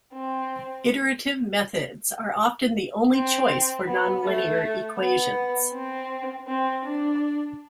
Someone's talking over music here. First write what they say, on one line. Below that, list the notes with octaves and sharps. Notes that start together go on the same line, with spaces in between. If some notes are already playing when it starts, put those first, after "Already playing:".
Iterative methods are often the only choice for nonlinear equations.
C4
C4
B3
A3
B3
C4
C4
D4